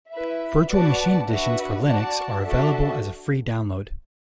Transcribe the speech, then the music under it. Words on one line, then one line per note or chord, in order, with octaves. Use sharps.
Virtual Machine Additions for Linux are available as a free download.
E4 B4 E5
F#4 B4 D5 F#5 A5
D4 F#4 B4 E5
F#4 D5 F#5 A5
D4 F#4 A4 E5 A5